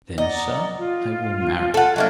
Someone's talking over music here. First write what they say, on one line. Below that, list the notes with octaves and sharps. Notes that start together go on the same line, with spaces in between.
"Then, sir, I will marry you."
D5 D#5 F#5 A#5
F4
A4 F#5
F#3 A3 A#3 D4 C#5 D#5